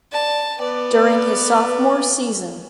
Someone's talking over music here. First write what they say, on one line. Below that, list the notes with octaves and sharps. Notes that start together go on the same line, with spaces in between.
During his sophomore season.
D5 A5
B3 B4 D5